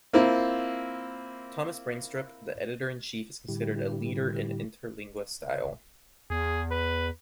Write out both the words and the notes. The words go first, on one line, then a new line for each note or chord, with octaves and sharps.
Thomas Breinstrup, the editor in chief, is considered a leader of Interlingua style.
A#3 C4 E4 F4
A2 D3 G3 E4 G4
E2 G#4
B4